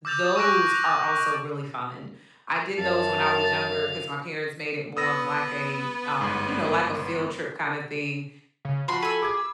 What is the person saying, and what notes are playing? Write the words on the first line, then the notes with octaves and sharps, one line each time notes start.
Those are also really fun. I did those when I was younger, 'cause my parents made it more of like a, um, you know, like a field trip kinda thing,
D6 E6 G6 A6 F7
C#6 D6 E6 F#6 A#6 D7
F7
F#2 F5 A5
B3 D#6 E6 A#6
G1 G#2
C#3
F3 F#4 B5 C6 C7
A4 G#5 B5 E6
G#4 D6 G#6
E6